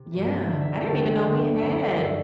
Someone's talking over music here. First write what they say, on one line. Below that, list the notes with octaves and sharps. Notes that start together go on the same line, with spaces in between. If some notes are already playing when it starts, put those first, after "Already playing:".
Yeah. I didn't even know we had
Already playing: C3
G2 E3
D2 D3 F#3 E5
E5
G5
D2 D3 F#3 A5
G5
G5
D2 D3 F#3
F#2 D3 F#3 E5
E5
D5
G2 F#3 E5